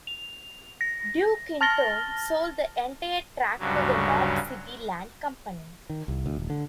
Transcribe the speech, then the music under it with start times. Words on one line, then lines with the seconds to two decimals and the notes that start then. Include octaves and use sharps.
Duke, in turn, sold the entire tract to the Knob City Land Company.
0.07 F7
0.81 A#6
1.61 A5 F6 A6 A#6 G7
3.59 D2 G2 C#3 F#3
5.90 D#3
6.08 C2
6.26 D2
6.37 D#1
6.50 D3